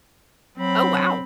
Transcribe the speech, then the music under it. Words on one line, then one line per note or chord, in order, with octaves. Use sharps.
Oh, wow.
F#3 C4 B5